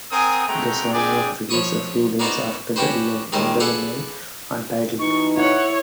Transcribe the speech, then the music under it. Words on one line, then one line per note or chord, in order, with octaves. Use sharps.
The song was released a few days after the event, under the name "Untitled".
C4 A#4 F#5 G#5 D#6
G#3 A3 C4 F#4 G5 A#5
G#3 C4 D4 G4 G#4 D5
F3 C#5 B5 C#6 D#6
A#3 B3 D#4 F#4 C5 D5
C#4 D4 F#4 G4 B4 C5
D#2 D#3 G3 G#3 C5 D#5
G#4 A4 B4 D5 F5 F#5
B2 E3 D#4 C#6
E4 C#5 F#5